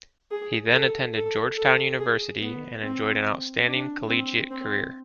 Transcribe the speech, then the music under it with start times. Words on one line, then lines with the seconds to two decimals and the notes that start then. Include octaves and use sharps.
He then attended Georgetown University and enjoyed an outstanding collegiate career.
0.31 G#4
0.73 A4
1.15 A4
1.58 A4
1.99 G#4
2.41 B3
2.83 C4
3.67 D4
4.09 C4
4.51 C4